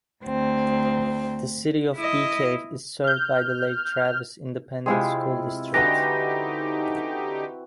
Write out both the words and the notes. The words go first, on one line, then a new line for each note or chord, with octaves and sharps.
The city of Bee Cave is served by the Lake Travis Independent School District.
D2 C4
E4 D#5
F6 G6
C3 G#3 C4 E4 F4 G#4
D3 E3 D#4 F#4 G4 B4 A#6